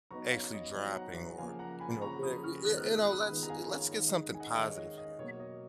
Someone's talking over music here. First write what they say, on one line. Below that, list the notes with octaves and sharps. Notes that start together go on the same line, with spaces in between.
actually dropping," or, you know, where you eh you know, let's let's get something positive here.
F#3 B3 D#4 A#5 C#6
C#5 F5
D#5
F#3 B3 D#4
F#5 A#5
F#5
C#3 F3 A#3 F5 G#5
F#5 A#5
G#5 B5
C#3 F3 A#3 A#5 C#6
B5 D#6
C#6 F6
D#3 G#3 B3 F4 D#6 F#6
F6
D#6 F#6
D#6 F#6
B5 D#6
D#3 G#3 B3 F4
A#5
F5 G#5
C#5 F5
D#3 G#3 D#4 D#5
D#5
G#5
D#5 F#5
D#3 G#3 D#4 C#5 F5
D#5
D#5
B2 F#3 A#3 C#5
D#5